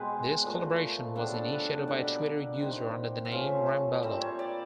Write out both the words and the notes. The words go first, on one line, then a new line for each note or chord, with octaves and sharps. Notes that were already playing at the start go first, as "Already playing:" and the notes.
This collaboration was initiated by a Twitter user under the name 'Ramballo'.
Already playing: B2 G#3 C4 B4
A#2 F3 A3
D3 G3 B3 D4 A4
A4
B4
D5
B2 G3 A#3 F#5
C3 D#3 G3
E5
F3 A3 C#4 F5
A#2 G3 C4 E5
C#5
D5